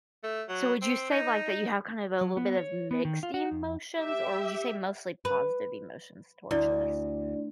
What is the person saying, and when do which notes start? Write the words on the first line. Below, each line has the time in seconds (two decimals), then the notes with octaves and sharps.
So, would you say, like, that you have kind of a little bit of mixed emotions, or would you say mostly positive emotions towards this?
0.24 A3
0.49 F#3
0.82 C4
1.11 D#4
2.21 F#3
2.37 B3
2.57 C#5
2.91 B3
3.05 D#3
3.23 F4
3.34 F#4
3.51 F2
3.95 G4 E5
5.25 B4
6.51 D2 E4 D5